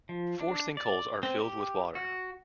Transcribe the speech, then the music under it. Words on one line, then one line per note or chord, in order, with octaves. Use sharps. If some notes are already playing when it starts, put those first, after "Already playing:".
Four sinkholes are filled with water.
F3
D4
D5
C4
G4
F#4